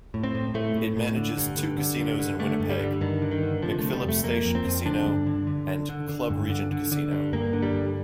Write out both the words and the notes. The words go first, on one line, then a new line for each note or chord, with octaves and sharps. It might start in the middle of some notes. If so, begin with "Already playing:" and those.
It manages two casinos in Winnipeg: McPhillips Station Casino and Club Regent Casino.
A2
C4
A2
A2 A3
A2
A2
D3
G2
D3
D3
G2
D3
D3 A3
G2
G3
D3
G2 D#3
D3
D#3
D3
C3 F3
C3 A3
G3
F2 A3
F2 A#3
F2
C4
F2
D3 D4
G2
D3
D3
D3
D3
D3
G2
D3
D3
D3
G2
G2 A#3
D3
G3
G2